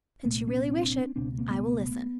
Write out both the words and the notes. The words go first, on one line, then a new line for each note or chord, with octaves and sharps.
"Since you really wish it, I will listen."
C2 A#2 A3 B3
B3 C#4
C4 D4
C#2 B2 C4 D4
A#3 C4
A3 B3